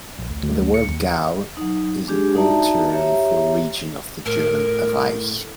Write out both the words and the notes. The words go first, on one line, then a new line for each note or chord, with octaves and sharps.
The word Gau is an old term for a region of the German "Reich".
A#1
D2
D2
D2
C#7
D#2
F#3 D#4
G#3 D4 G4 G#4
D#4 F#4 D5 E5 A5 A#5
G4 C#5 E5 A#5
A2 A#4